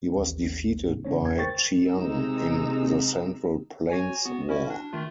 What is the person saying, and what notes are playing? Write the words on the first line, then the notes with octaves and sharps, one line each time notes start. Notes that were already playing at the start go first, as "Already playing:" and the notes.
He was defeated by Chiang in the Central Plains War.
A1 D#2
A2
C#3 C#4 D4 C5 C#5
E2 G#6
A#4 C5 G5 C#6 A6
C3 G#3 D#4 A#5 E6
F#4 C#5 G#5
B3 F#4
C#4 E4 F#4
D4
D#3 A3 F4